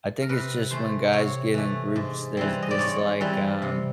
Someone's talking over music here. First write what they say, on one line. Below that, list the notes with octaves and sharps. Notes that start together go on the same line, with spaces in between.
I think it's just when guys get in groups, there's this, like, um,
A#4
C3 B4
E3 A3 C5
C3 C#5
E3 A3
G#2
E3 G3 C4
D#5
D5
G#2 C#5
E3 G3 C4
C3